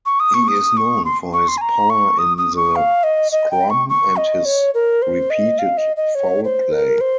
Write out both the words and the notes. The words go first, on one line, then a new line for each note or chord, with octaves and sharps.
He is known for his power in the scrum and his repeated foul play.
C#6
D#6
C#6
D#6
C#6
C6
C#6
C6
G#5
A#5
C#6
D#6
D#6
C#6
F5
D#5
D#5
G5
C#6
C#6
D#5
C#5
A#4
C5
D#5
F5
D#5
D#5
C#5
C5
A#4
C5